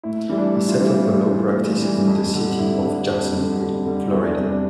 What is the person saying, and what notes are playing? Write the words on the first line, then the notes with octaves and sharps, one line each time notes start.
He set up a law practice in the city of Jacksonville, Florida.
A2 E4
E3 G3 E4
D4
A2 E4
F4
E3 G3 E4
A2
E3 G3
A2
E3 G3
F2
D3 G3
F2 E4
D3 G3
F2
D3 G3
F2
D3 G3
E2 E4
D4
C3 G3
D4